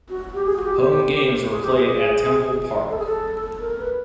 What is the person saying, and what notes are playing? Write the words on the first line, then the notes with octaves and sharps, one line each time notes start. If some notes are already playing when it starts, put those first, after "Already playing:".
Home games were played at Temple Park.
F#4
G4
G#4
F#4
G4
G4
G#4
G4
G#4
A4
G#4
A4
A#4
B4